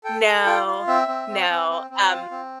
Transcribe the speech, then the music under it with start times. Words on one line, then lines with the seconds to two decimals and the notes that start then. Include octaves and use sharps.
No, no, um
0.04 A4 G5
0.26 A4
0.46 F4 G5
0.66 F4
0.87 C4 E5
1.08 C4
1.28 C4
1.49 C4
1.69 C4
1.90 C4
2.11 F4
2.31 C4